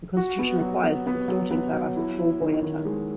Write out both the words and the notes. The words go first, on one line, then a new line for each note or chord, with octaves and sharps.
The Constitution requires that the Storting serve out its full four-year term.
F#4
B3
F#3
B3
B3
F#3
B3
F#3
E4
E4
D#3
D#3
G#3